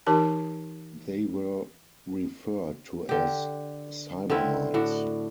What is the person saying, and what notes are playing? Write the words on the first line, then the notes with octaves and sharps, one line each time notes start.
They were referred to as cybermites.
E3 D#4 G4 A#4 A5
D3 G4
D3 C4 C#4 E4
A2 D4 F#4